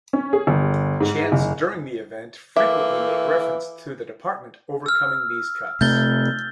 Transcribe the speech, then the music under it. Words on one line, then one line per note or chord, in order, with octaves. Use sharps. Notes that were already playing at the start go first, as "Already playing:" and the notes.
Chants during the event frequently make reference to the department overcoming these cuts.
C#4
G#4
G1
G#2
F#1
E3 A3 A#3 E5 D6
E6 F6
C3 A3 G6 A6 G7